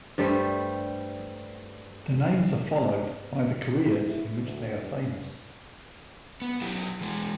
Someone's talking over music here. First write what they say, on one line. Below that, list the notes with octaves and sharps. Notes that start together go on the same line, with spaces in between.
The names are followed by the careers in which they are famous.
G2 G3 A3 C5
E4
E4
D2
G2
B3
F#3 E4 G4
E3 G#3